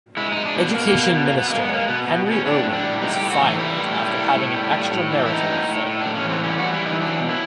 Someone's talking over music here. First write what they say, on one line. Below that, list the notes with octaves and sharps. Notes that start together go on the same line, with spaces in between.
Education minister Henry Irwin was fired after having an extramarital affair.
G#3 E4
G#3 D#4
D4
B2 D4
B2 A#3
B2
A#3
B2 B3
A#3
B2
B3
G#3 A#3
B3
G#3 A#3
B2 B3
B2
B2
C#4
A2 D4
A2
D4
G3
A2 D#4
G4
A2
F#4
E3 D#4
G3 E4
A2
G3
A2
A2
G3
A2
A2
E3
E4
A2 D#4
A2
A2
A2
D4
A2
C#4
E3
C4
G3 C#4
F#4
E3
E4
E3 D#4
F#3 D4
B2
E4